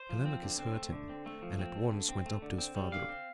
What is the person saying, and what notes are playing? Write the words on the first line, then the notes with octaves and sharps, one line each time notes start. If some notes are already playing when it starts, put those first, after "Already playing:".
Telemachus heard him, and at once went up to his father.
Already playing: C5
F3
C4
D3
C4
A3
D3
C4
A3
F3
C4
A3
D3
C4
A3
D3
C4
G3
D3 F5
C4